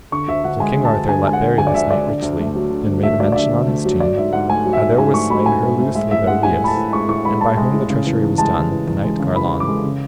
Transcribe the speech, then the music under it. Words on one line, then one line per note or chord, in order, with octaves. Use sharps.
So King Arthur let bury this knight richly, and made a mention on his tomb, how there was slain Herlews le Berbeus, and by whom the treachery was done, the knight Garlon.
D3 C#6
D2 E5
D2 F#5
G#3 G#5
D3
A5
D2
D2 G#5
G#3 G#5
F#5
D3
D2 G#5
D5
D2 E5
G#3 D5
D3
D2
A3
F#3
D3
D2
A3 E5
F#3 D5
D5
D3 E5
D2
A3
F#3
F#3 D5
G#2 E5
G#2 F#5
A3 G#5
F#3
E5
G#2
G#2 G#5
A3 C#6
F#3 B5
G#2 G#5
G#2
A3
G#3 E5
A2 E5
G#3 F#5
A2 G#5
G#3 B5
A5
A2
G#3 C#6
A2 C#6
G#3 B5
A2 A5
G#3
A2
C#3
E2
E2
G#3 A5
C#3
E2
E2
G#3
C#3
E2 B5
E2
D6
G#3
C#3